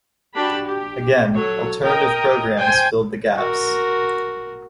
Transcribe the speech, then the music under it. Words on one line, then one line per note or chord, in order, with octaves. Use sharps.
Again, alternative programmes filled the gaps.
D4 F#4 G4 A5 B5
G4
F#3 A4 C#5
A#4 D#5 G5 A#5
C5 G5 G#5
F#4 A#4